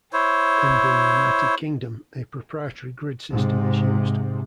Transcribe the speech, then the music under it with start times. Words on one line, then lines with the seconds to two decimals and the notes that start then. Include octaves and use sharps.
In the United Kingdom, a proprietary grid system is used.
0.13 E4 C5 C#5
3.31 G#2 C3